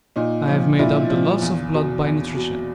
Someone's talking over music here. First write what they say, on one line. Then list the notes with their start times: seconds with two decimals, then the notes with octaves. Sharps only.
I have made up the loss of blood by nutrition.
0.16 A#2 D#4
0.47 F3
0.79 A#2 D4 E4
1.10 F3
1.42 E2
1.74 B2
2.05 E2
2.36 B2